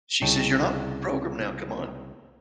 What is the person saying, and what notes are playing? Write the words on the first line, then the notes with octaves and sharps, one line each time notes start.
She says, "You're not programmed now, come on.
C2 C#3 D#4 C#5 G5 A5